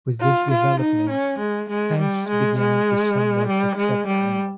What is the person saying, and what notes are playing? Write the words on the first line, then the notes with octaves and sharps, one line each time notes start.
With this development, fans began to somewhat accept Imel.
F4
F4
D#4
C#4
G#3
G#3
G3
G#3
G#3
G3
G#3
G3